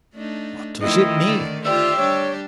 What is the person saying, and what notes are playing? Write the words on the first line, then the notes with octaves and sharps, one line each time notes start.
What does it mean?
A3 D4 D#4
D#3 F3 A3 E4 D#5
D3 A3 D5
F4 G4 C5 D5 E5
G3 D4 C#5